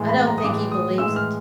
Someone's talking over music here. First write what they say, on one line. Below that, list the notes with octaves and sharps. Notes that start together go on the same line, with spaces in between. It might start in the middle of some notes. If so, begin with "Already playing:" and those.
I don't think he believes it.'
Already playing: A2 E3 G#3
B5
A#5
D#6
A2 E3 G#3 D6
D#6
A2 E3 G#3 E6
F6